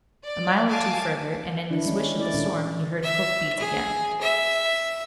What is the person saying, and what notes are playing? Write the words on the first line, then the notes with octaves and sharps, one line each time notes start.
A mile or two further and in the swish of the storm he heard hoofbeats again.
D5
F5 G#5 A5 D6
D#3 D4 E4
G3 G#3 C#4
A3 E4 D5
A#2 D#3 C#4 D4
E5
G#4
E5